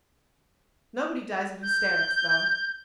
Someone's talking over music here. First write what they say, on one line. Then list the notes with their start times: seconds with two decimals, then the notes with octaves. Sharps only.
Nobody dies of hysterics, though.
1.63 G6